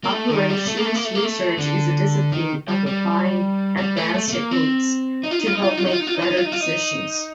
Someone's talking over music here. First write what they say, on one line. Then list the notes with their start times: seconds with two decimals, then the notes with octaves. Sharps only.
Operations research is a discipline of applying advanced techniques to help make better decisions.
0.04 A#3
0.12 A3
0.30 D#3
0.49 G3
0.67 A3
0.77 A#3
0.86 A3
0.95 A#3
1.05 A3
1.15 A#3
1.24 A3
1.58 D3
2.32 D#3
2.68 G3
2.86 G3
3.77 G3
3.96 A3
4.14 A3
4.28 A3
4.33 A#3
4.51 C4
5.24 D#4
5.31 F4
5.39 D#4
5.47 F4
5.55 D#4
5.62 F4
5.69 D#4
5.77 F4
5.85 D#4
5.91 F4
6.00 D#4
6.07 F4
6.15 D#4
6.22 F4
6.30 D#4
6.37 F4
6.45 D#4
6.52 F4
6.60 D#4